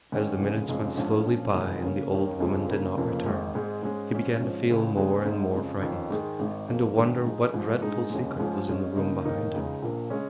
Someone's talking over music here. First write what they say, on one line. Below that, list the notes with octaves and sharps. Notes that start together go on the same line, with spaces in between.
As the minutes went slowly by and the old woman did not return, he began to feel more and more frightened, and to wonder what dreadful secret was in the room behind him.
G#2 D#3 C#4
F1 F2 C#3 G#3
F1 F2 C#3 G#3
A#1 G#2 F3 C#4
A#1 A#2 F3 C#4
F1 F2 D#3 G#3
C#2 C#3 A#3 C#4
D#2 D#3 A#3 C#4
F2 C#3 F3 G#3
C#2 C#3 A#3
F1 F2 C#3 F3 A#3
G#1 G#2 D#3
G#1 G#2 G#3
G#2 G#3 C#4
G#2 F3 C#4
G#1 G#2 F3 C#4
C#2 C#3 F3 G#3
D#2 C#3 G#3 D#4
G#1 G#2 G#3 D#4
F2 C#3 G#3
F2 D#3 C#4
G#2 D#3 G#3
G#1 G#2 D#3
F2 F3 A#3
A#1 G#2 D#3
G#2 F3 G#3 D#4
G#1 G#2 F3
A#1 G#2 G#3 D#4
F1 D#2 C#3 G#3
G#2 F3 G#3 C#4
G#1 G#2 G#3 C#4
C#2 C#3 A#3 D#4
F1 D#2 D#3 A#3 D#4
C#2 C#3 G#3 D#4
A#1 A#2 A#3
C#3 G#3 C#4